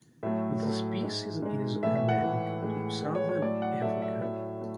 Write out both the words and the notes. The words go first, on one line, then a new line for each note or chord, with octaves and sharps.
The species is endemic to Southern Africa.
A2 F#3 A3 E5
A2 F#3 A3
G#2 G#3
G#2 G#3
A2 E3 A3 E5
E5
F#5
A2 E3 A3
A2 E3 G#3
A2 E3 G#3
C#5
C#5
A2 F#3 A3 D5
F#5
A2 F#3 A3 E5
E5
A2 F#3 A3 E5
A3